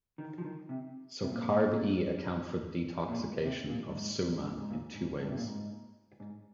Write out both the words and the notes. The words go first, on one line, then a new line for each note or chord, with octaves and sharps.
So CarbE account for the detoxication of soman in two ways.
D#3
F3
D#3
C3
C3
A#2
A#2
G#2
C3
A#2
G2
G#2
G#2
G#2
A#2
G#2
G2
C3
A#2
G#2
G#2